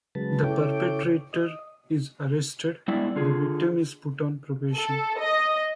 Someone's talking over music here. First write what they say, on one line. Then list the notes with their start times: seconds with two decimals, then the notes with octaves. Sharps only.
The perpetrator is arrested; the victim is put on probation.
0.15 C#3 F#3 G#3 B4 A5
0.44 C#3 E4 A4 C#5 G5 D6
1.33 D#5
2.88 G3 G#3 B3 D4 E4 D5
3.16 D3 F4 G#4
4.75 A4
5.18 D#5